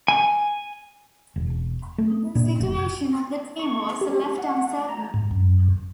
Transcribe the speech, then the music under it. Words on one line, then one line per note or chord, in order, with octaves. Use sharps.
The situation of the team was left uncertain.
G#5
E1
A3
A#2 D4
F1
C#6
G4
F#5
A#5
G#2
F#2